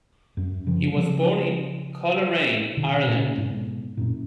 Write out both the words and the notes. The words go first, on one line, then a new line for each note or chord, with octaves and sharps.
He was born in Coleraine, Ireland.
F#2
C#3 F3
F#3
C#3 F3
B2 D#3
A#2 C#3
G#2 B2
F#2 A#2